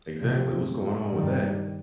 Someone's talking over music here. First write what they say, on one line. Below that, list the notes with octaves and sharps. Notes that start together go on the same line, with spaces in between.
Exactly, what's going on with that?
D2 C3 F3
G2 D#3 G3